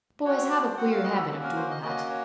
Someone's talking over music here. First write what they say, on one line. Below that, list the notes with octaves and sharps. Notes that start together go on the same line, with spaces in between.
Boys have a queer habit of doing that.
C4 F#4 C#5
C5
C4 F#4 F#5
F5
D#5
A4
A#3 C#4 F#4 A4
A#4
C5
D#5
A#3 C#4 F#4 D#5
C#5